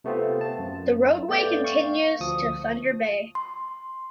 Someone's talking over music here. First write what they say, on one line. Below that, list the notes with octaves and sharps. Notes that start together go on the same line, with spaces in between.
The roadway continues to Thunder Bay.
C3 A3 B3 C4 F4
A5
F#2
A3 B3 D5 F5 G5
F5 C#6
D2 F3 D#6
C6